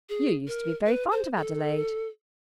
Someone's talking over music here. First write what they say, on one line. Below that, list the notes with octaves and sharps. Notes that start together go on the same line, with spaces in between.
"You used to be very fond of Adelaide."
G#4
A#4
B4
C5
A4